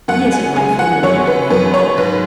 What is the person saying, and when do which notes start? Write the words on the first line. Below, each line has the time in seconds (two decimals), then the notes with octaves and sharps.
"He isn't my friend in that way at all."
0.08 F#2 F#5
0.32 G#5
0.56 G#3 G#5
0.79 F#5
1.03 F#2 C#5
1.27 B4
1.50 F#2 B4
1.74 C#5
1.98 G#2 B4